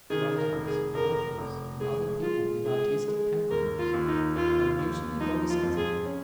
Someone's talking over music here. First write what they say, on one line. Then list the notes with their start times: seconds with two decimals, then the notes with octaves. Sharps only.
Writers, authors, and other people with artistic temperaments, are usually very sensitive.
0.10 D#3 G#4
0.38 A#4
0.53 F1
0.67 G#4
0.95 F1 A#4
1.38 F1
1.80 G#3 G#4
2.23 G#3 F4
2.66 G#3 G#4
3.08 G#3
3.51 D#2 A#4
3.79 F4
3.94 D#2
4.08 D#4
4.36 D#2 F4
4.79 D#2
5.20 F3 D#4
5.50 F4
5.63 F2
5.77 G#4
6.05 C#4